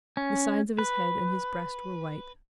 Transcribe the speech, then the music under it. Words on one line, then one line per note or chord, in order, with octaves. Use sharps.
The sides of his head and his breast were white.
C#4
B4